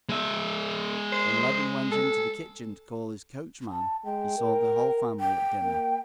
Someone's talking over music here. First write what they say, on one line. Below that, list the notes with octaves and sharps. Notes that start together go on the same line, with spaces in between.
When Levin went into the kitchen to call his coachman he saw the whole family at dinner.
G#3 E5
C5
A4
A5
G#3 G5
A#4
G5
A#3